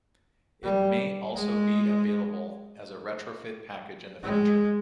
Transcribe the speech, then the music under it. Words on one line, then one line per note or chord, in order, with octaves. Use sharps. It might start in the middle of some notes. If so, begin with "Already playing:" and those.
It may also be available as a retrofit package in the future.
G3
G#3
G#3